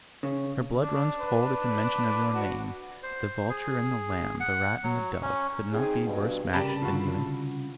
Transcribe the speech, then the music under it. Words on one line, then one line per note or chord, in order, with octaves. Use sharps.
Her blood runs cold at the mention of your name; the vulture and the lamb, the rat and the dove, could not be worse matched than you and she.
C#3
D4
B4
F#4
C5
G#4
F#5
F#3
C#4
C4 D#4 G#4
G2 B2
C2 C#3 G4 A#4 D5 A5 B5
D3 F4 F#4